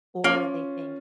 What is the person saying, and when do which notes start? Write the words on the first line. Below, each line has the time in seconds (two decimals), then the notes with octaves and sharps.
Or they think,
0.24 A#3 C#4 F4